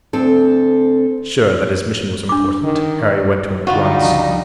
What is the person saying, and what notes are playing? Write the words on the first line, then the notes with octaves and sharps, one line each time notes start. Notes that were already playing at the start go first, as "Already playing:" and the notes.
Sure that his mission was important, Harry went to him at once.
D2 C4 A4
D4 D6
D#3
D3 G3 D#4 F4 F#4 F5 B5
C#2 C#3 F3